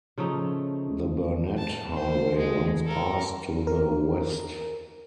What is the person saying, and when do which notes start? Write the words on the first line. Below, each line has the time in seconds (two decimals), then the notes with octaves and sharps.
The Burnett Highway runs past to the west.
0.18 C#3 F3 A3 D#4
1.58 A5
1.95 C5
2.38 G#3
2.85 A4 A#4
3.67 A#4